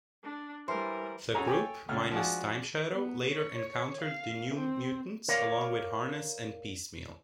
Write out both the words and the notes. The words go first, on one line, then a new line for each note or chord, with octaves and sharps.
The group, minus Timeshadow, later encountered the New Mutants, along with Harness and Piecemeal.
D4
E3 G3 A#4 C5
C#4 F#4 G#4 A4 G#5 A#5
A4 C#5 G5 G#5
C#2 A3 C#4 F6
F3 G#3 D4 F#4 G#4
B3
C#5
F5
C4
A#4 C#5 D5 F5